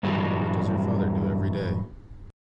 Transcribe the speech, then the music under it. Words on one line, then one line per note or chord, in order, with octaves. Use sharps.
What does your father do every day?
G2 A#2 E3 F#3 G3